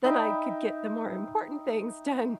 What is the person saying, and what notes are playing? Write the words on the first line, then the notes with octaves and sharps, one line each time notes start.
then I could get the more important things done
D#4 E5 G5 B5